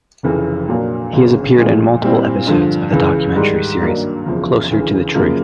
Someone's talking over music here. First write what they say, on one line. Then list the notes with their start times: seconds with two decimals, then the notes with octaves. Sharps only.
He has appeared in multiple episodes of the documentary series Closer to Truth.
0.23 F1 F2 C#3 E3
0.68 A#2 F#3 A#3 D4
1.13 G1 F#2 C#3
1.57 A#2 F3 G#3
2.02 A#2 G3 C4 E4
2.47 G2 D3 F3
2.91 C#2 C#3 E3
3.36 G#2 D#3 G3
3.81 G2 D#3 F#3 A#3 D4
4.26 F#1 E2 C#3 F3
4.70 D2 C#3 E3
5.15 F#2 C#3 F3 A#3